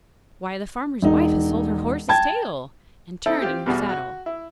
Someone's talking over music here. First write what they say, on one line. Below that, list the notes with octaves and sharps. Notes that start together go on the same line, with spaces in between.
'Why, the farmer's wife has sold her horse's tail!' and turned in her saddle.
E1 D#4
G5 A5 G#6
C4 D#4 E4 A4 E5
C4 F4 G4
E2 B2 G3 F#4 G#4
F#4
E4